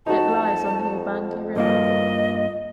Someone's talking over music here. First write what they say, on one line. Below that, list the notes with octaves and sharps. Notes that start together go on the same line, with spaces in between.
It lies on the Ubangi River.
F2 D#4 F#4 A5
G2 A#3 F4 D#5